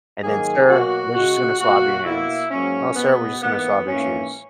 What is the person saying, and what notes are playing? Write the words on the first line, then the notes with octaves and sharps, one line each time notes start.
And then, "Sir, we're just gonna swab your hands. Oh, sir, we're just gonna swab your shoes.
G#2 D#3 F#3 A#3 G#4
B2 F#3 A#3 F#4
C#3 G#3 F#4
B2 A#3 F#4
B2 A#3 E4
G#2 F#3 A#3 C#4
B2 G#3 B3
G#2 E3 A#3 B3
G#2 E3 A#3 C#4